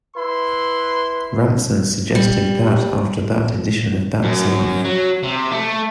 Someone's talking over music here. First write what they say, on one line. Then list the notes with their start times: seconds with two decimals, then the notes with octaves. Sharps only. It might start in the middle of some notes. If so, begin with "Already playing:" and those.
Rantzen suggested that after that edition of That's Life!
0.17 E4 B4 C6
2.15 G3
4.23 F#2
4.85 F#3
5.23 C3
5.52 A3